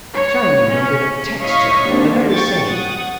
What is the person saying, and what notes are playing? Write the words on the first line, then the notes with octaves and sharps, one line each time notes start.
Shining and with a texture--the very same.
C#5
C#4
E4 C#5 D#5 F5 C#6 B6
G#1 D#2 C4 D4
G5 C#6 A6
F#5 D#6